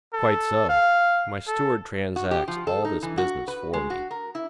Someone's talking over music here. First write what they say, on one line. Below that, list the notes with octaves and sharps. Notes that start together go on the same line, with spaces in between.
"Quite so; my steward transacts all this business for me."
A4
F5
A4
F#4
G4
F3
A4
D#4
E3
F#4
B4
G#3
F#4
A#4
E4